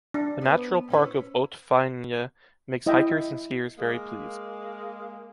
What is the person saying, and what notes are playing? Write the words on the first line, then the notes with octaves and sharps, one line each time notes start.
The natural park of Hautes-Fagnes makes hikers and skiers very pleased.
D4
B3 B4
C#4 E4 B4
E4 D#5 E5 G5
G#3 A#3